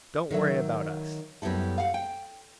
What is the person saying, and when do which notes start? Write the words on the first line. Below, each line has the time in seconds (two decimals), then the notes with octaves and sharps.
Don't worry about us.
0.31 D#3 F#3 E5
1.42 F#2 G3 B3 E4 A4
1.78 F5 F#5
1.94 G5